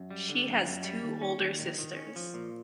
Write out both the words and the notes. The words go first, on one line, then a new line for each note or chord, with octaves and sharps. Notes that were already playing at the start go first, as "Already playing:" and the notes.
She has two older sisters.
Already playing: F#2
G3
D3
F#2
F#2
G3
D#2
C#4
D#2
D#3
D#3
C#4
F3
A#2